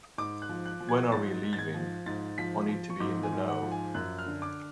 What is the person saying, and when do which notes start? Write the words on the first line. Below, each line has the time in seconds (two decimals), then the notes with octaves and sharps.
When are we leaving? I need to be in the know!
0.18 G#2 D6
0.42 F#6
0.49 F3
0.66 F#6
0.80 F3
0.89 G#6
1.12 G#2 A6
1.43 G#2
1.53 A6
1.59 G#6
1.74 F3
2.06 G#2 A6
2.38 F3 B6
2.69 F3
2.90 C#6
3.00 G#2 D6
3.23 G#5
3.32 G#2
3.48 F#5
3.62 F3
3.72 G#5
3.94 F#2 F#6
4.19 F6
4.26 D3
4.42 D6